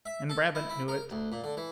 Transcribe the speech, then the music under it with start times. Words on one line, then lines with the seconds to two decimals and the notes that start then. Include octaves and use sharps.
And Braham knew it.
0.06 E5
0.30 A4
0.55 E4
0.69 E4
0.88 A#4
1.11 D2
1.32 A#2
1.44 D3
1.57 E3